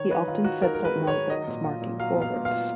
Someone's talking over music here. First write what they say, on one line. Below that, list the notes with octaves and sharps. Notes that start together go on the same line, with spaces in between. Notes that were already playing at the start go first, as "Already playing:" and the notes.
He often sets up Melbourne's marking forwards.
Already playing: D#3 C#5
D#4 B4
D#3 F4
D#4 F#4
D#4 A#4
G#3 A#4
B4
D#3
C#5
D#3
F#3 D#5
A#2
F4
A#2
F#3 F5
B3
F5
A#2
F5
F4